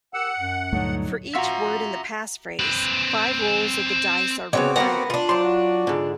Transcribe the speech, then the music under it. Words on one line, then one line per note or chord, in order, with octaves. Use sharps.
For each word in the passphrase, five rolls of the dice are required.
G4 A#4 F#5 E6
F#2
D2 G2 A#2 F#3 A3 D#4
F4 F#4 E5 A#5
C4 B4
A#2 C#3 B3 C4 F#4 C#5 D6
A#3 B3 A#4 F#5 A#5
D4 F4
F#3 C5 D5 C6
F#4
G#2 D3